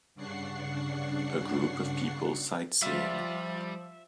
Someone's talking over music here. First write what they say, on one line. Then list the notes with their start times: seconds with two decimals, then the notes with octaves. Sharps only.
A group of people sightseeing.
0.15 G2 C#3 D4 F#5 C#6 C7
2.82 F3 G3 F4 E5